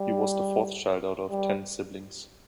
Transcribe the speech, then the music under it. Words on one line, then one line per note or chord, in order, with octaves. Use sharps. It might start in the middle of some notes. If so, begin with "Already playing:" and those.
He was the fourth child out of ten siblings.
Already playing: G3
G3